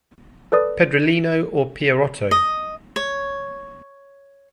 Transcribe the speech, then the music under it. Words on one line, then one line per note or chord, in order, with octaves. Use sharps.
Pedrolino or Pierotto.
A4 B4 D5 D#6
D#5
C#5